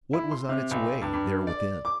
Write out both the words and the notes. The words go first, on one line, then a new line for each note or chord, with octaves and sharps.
What was on its way there within?
E4
C6
C3
B1
G2
G2
D5
D6